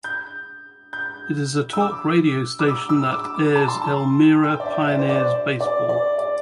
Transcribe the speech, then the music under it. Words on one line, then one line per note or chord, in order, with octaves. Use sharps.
It is a talk radio station that airs Elmira Pioneers baseball.
G6
G6
E6
D6
D6
E6
E6
E6
D6
D6
A5
C6
A5
G5
D5
E5
E5
D5
C5
D5
D5
D5
D5